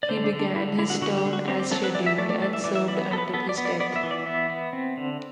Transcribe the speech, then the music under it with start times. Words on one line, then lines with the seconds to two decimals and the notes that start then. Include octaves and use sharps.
He began his term as scheduled, and served until his death.
0.03 D5
0.09 D3 C5
0.24 D4
0.33 D3
0.40 D4
0.56 D3 E4
0.79 D3 E4
0.90 F#4
1.02 D3 F#4
1.18 G4
1.26 D3
1.33 F#4
1.48 C4 G4
1.60 G4
1.71 F#3 A4
1.84 B4
1.95 E3 D5
2.06 E5
2.18 A3 D5
2.30 D5
2.42 E3 D5
2.53 E5
2.64 E3 D5
2.75 E5
2.88 B3 D5
3.11 B3 A4
3.18 B4
3.33 B3 A4
3.49 D5
3.58 B3
3.65 D5
3.80 B3 D5
3.96 E5
4.03 E3
4.11 D5
4.26 B3 E5
4.50 B3
4.73 C4
4.97 D3